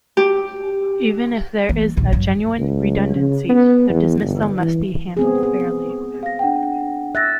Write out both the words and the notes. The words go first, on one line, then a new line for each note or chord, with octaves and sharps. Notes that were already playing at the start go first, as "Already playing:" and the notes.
Even if there is a genuine redundancy, the dismissal must be handled fairly.
G4
E3 A#3
A#1 D#2
G2 F#3
C#2
C#3
B3
E2
G1
E3
B3 C4 G#4
G#4
F5 A#6
D4 F#5 G5
E5 F#6 A6 A#6